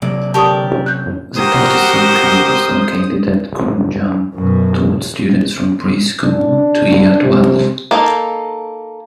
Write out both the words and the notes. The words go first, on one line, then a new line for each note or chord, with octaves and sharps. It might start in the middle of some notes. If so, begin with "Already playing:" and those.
The Patterson campus, located at Kurunjang, taught students from pre-school to Year Twelve.
C3 F#3 A#3 D5
D3 G4 A#4 D5 A5 C#6 D#6
C#4
F#6 G6
F#4 G4 A#4 C5 D#6
F#2 B2
D4
C3
A#3 D#4 A4